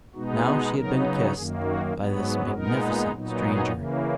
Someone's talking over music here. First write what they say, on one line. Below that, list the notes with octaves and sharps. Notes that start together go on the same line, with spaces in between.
Now she had been kissed by this magnificent stranger!
B2 G#3 B3 D#4 F#4
G#4
C#3 F#3 B3 D#4 A#4
F#2 D#3 A#3 G#4
F#4
G#2 F#3 B3
G#4
A#2 G#3 B3 D#4 A#4
A#2 F#3 B3 D#4
G#4
C#3 E3 A#3